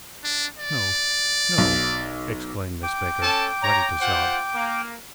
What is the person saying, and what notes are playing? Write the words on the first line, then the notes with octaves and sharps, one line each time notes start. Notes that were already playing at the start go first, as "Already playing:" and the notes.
"No, no," exclaimed Miss Baker, ready to sob.
D4
D5
B1
G5 D6
C#4 A4 A5
C#5 A#5
F4 C5 F#5
A#3